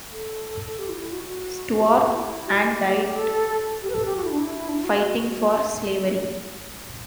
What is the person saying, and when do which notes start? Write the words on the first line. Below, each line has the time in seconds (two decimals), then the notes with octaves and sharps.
Stuart, and died fighting for slavery.
0.11 A4
0.79 G4
0.89 E4
1.00 E4
1.13 F#4
1.79 G4
2.14 E4
2.48 G4
3.16 A4
3.83 G4
3.90 B4
3.94 A4
4.05 G4
4.16 F#4
4.24 E4
4.31 D4
4.39 E4
4.69 D4
4.77 E4
4.84 F#4